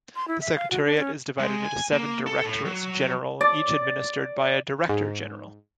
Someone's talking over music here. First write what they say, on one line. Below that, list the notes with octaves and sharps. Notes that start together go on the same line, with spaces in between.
The Secretariat is divided into seven directorates-general, each administered by a director-general.
C6
E4
E5
F5
F#4
D4
C#4
G#3
G#5
A#3
A4
A2
F#3
D5
G#2